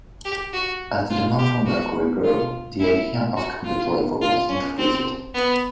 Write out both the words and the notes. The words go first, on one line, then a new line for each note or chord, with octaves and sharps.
As the demand for mercury grew, the idea of convict labor was introduced.
G4
F#4
F4
G4
F#4
F4
E4
F#4
F4
F4
C#4
C4
B3